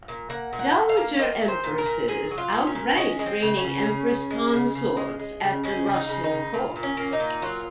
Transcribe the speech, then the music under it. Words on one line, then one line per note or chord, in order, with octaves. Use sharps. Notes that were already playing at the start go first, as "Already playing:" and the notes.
Dowager Empresses outranked reigning Empress Consorts at the Russian Court.
A#2
A#3 F#5
A#2
F#5
A#2
F5
A#3
A#3 D#5
A#2
C5
A#2
A#4
A#2
A#2 G#4
F#3
F4
A#2
C#4
A#2
G#3 C#4
G#3
C4
C#3
C#4
C#3
C#3
C#3
G#3
C#3
C#3
G#3
G#3
C#3
G#3 C#4
C#3
D#4
C#3
D#4
C#3
A#2 F4
A#2
C#4
A#3
D#4
A#2
F#3 F4